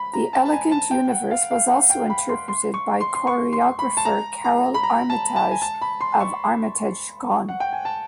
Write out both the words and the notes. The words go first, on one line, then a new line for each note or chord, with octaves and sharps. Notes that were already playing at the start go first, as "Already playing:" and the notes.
"The Elegant Universe" was also interpreted by choreographer Karole Armitage, of Armitage Gone!
Already playing: B5
A#5
A5
A5
G#5
A5
G5
F#5
F5
F5
F#5
G5
B5
C6
C6
C#6
C6
C6
C#6
C6
B5
A5
A#5
A#5
B5
A#5
A5
A5
G#5
A5
B5
C6
C#6
F#5
G5
G#5
A5